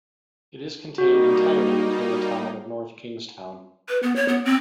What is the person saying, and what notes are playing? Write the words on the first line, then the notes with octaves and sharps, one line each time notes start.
It is contained entirely within the town of North Kingstown.
G3 A#3 D#4 F#4
B4
B3
C#5
B3
C4